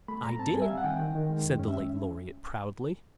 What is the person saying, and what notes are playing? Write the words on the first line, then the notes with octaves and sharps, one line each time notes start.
"I did," said the late laureate, proudly.
A3 B5
G#2 A#5
C4 A5
G3 G#5
E5
C4 F5
F#5
D#3 G5
D#3
D#3
G#3
F#2
C#4
E5